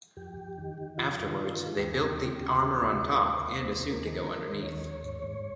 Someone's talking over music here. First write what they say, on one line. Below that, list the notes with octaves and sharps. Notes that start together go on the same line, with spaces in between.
Afterwards they built the armor on top and a suit to go underneath.
F2 G4
F2
D#3
D#3
F2 F4
D#3 F4
D#3
D#3
G#4
D#2 G4
G#4
D#2 G4
G4
C#3
D#2
D#2 G4
D#2 F4
G4
D#2 G#4
A#4
D#2
C5
D#2
D#2 C5
D#2 C5
A#4
D#3 G#4
A#4
D#3
D#3
D#2 C#5
D#2
G#2
G#2